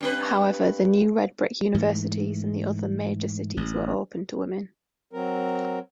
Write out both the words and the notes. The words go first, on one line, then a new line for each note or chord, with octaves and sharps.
However the new redbrick universities and the other major cities were open to women.
G2 C4 B4
G#2 E3 A3
A1
F#3 C4 A#4